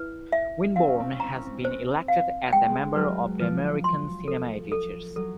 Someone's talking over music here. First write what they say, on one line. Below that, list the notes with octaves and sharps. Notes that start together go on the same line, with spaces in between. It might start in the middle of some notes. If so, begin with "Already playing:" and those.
Winborne has been elected as a member of the American Cinema Editors.
Already playing: E4 B4
E5
C4 F5
C#4
C4
C#4
C4 A#5
C#4
C4
C#4
C5
C4
F5
G#3 G5
A3
G#3
F#3 B4
F3 B4
C6
A4
A4
F#3 A4